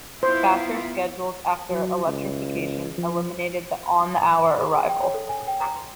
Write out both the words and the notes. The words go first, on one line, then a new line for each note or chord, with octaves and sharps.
Faster schedules after electrification eliminated the on-the-hour arrival.
B3 E4 F4 C5
F#3
C#2
F3
G#4
C6
G5
C#5
A4
G#5
G5
A#5
C6